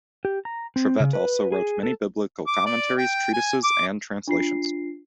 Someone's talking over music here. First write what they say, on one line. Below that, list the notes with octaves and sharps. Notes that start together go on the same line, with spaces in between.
Trivet also wrote many biblical commentaries, treatises and translations.
G4
A#5
C4
C#3
B4
G#4
A4
D6
D5
G5
G#5
D6
D4 F4 C7